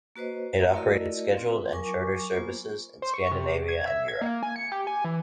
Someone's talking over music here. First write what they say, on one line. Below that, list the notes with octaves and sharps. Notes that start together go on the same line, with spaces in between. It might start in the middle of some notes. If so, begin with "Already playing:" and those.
It operated scheduled and charter services in Scandinavia and Europe.
A#3 F#4 B4 C5 D#5
C#5 A#5
A3 E4 F#4 A#4 D5 D#5
C4 F4 B4
F#3 A#4 G#5 C#6 D6
A#3 B3 F4 C5
C5
C#6
C3
G#6
E5
G#6
A#3
G#5
C#7
G4
G#5
E3